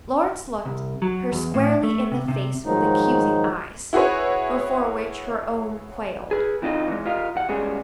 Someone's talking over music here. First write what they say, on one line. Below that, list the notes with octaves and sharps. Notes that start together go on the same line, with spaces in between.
Lawrence looked her squarely in the face with accusing eyes, before which her own quailed.
C2
F#3
E2
A2
A3
C3
C3
G#2 D#3 F3 F#3 G#3 D#4
E4 F#4 G#4 B4 C#5
G#4 B4
E3 C4 D#4 F4 D#5
E3 G#3
F4 G4 A#4 D#5 F5
E2 F#5
B2 G3 G#3 C#4 F#4 G#4